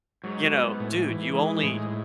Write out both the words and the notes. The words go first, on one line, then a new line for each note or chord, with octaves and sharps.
you know, "Dude, you only
G#2 F#3
B3
A2
E3
G#3
A2